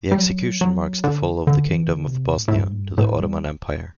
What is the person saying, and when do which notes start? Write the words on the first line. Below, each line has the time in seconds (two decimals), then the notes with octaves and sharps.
The execution marks the fall of the Kingdom of Bosnia to the Ottoman Empire.
0.12 G3
0.18 F#3
0.61 F#3
1.04 D3
1.47 D3
1.69 E3
1.90 D3
2.07 B2
2.12 C3
2.34 A2
2.48 A2
2.55 G2
2.72 A2
2.76 G2
2.98 A2
3.20 G3